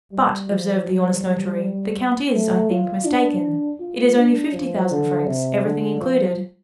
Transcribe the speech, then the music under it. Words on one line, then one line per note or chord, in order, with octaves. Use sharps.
"But," observed the honest notary, "the count is, I think, mistaken; it is only fifty thousand francs, everything included."
G3
F3
G3
A3
F4
D4
F4
D4
F3
D3
C3
D3
F3